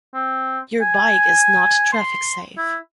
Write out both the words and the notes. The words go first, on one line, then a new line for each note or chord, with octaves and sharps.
Your bike is not traffic safe.
C4
G#5
C6
E4